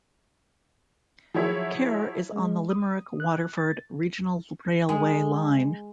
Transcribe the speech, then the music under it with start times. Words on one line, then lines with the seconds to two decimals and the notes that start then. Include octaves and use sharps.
Cahir is on the Limerick-Waterford regional railway line.
1.34 F3 F#3 E4 G#4 C#5 E5
2.33 G#3
2.70 D#6
3.20 F#6
3.58 A6
4.89 G#3